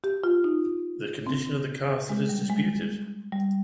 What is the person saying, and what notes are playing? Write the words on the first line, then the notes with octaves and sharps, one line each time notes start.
The condition of the castle is disputed.
G4
F4
D#4
C4
G#3
G3
G#3
G3